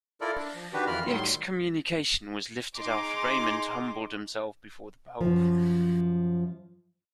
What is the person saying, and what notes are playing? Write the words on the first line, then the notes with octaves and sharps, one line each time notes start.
The excommunication was lifted after Raymond humbled himself before the Pope.
E4 F4 A4 A#4 D5
D4
F3
D#3 D4 F#4 G4 B4
F2 E3 F4 A#4 B5 F6
A2 D#3 F#3 G3 C6
D#4 G#4 A#5 C6 D6
F#2 F3